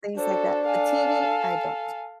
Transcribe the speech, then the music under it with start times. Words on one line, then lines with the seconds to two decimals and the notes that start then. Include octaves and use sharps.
things like that, a TV I don't.
0.17 D4 F#4 A4 C5
0.67 A4 F5 G#5